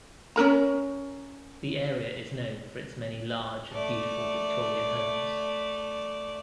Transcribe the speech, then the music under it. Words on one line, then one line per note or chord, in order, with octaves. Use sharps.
The area is known for its many large and beautiful Victorian homes.
C#4 D#4 A#4 A#5
A3 D5